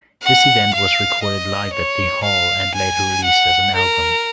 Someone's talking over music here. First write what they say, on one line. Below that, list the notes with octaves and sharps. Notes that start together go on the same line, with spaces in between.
This event was recorded live at the hall, and later released as an album.
F#5
F5
D#5
C#5
F5
G#5
F#5
A#4